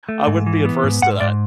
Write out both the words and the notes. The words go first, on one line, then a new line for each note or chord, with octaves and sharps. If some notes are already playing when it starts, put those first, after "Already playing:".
I wouldn't be adverse to that.
A3
G#2
E3
B3
G#2
G#2 F#5
G#2 D5